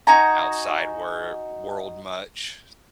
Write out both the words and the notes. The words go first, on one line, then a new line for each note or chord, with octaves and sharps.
outside wer world much,
D#4 F#4 G#5 A#5